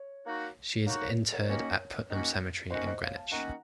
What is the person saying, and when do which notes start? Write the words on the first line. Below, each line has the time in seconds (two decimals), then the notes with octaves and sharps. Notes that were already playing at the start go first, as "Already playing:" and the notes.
She is interred at Putnam Cemetery in Greenwich.
Already playing: C#5
0.25 A#3 D#4 F#4
0.86 A#3 D#4 F#4 C#5 F5
1.01 A#4 C#5
1.32 A#4 C#5
1.48 D#3 A#3 C#4 F#4
2.10 D#3 A#3 C#4 F#4
2.70 D#3 A#3 C#4 F#4 C5 D#5
2.87 C5 D#5
3.01 C#5 F5
3.17 F5 A5
3.31 D#3 A#3 C#4 F#4 F#5 A#5